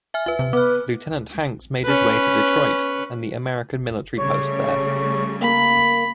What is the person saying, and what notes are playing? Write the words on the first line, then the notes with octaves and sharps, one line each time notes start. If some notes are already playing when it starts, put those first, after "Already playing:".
Lieutenant Hanks made his way to Detroit and the American military post there.
E5 G#5 F6
F3 B4 E5
C3
B3 B4 D6 F6
C#4 B4
C#3 G3 A3 C#5
A#3 B5